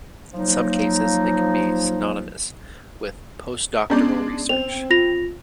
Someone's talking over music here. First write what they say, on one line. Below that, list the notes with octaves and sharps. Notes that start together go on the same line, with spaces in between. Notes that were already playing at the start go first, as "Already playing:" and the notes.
In some cases it can be synonymous with postdoctoral research.
F3 F#3 A#3 D#4
G#3 B3 C#4 D4 D5
C4 F7
F4 A#6 F7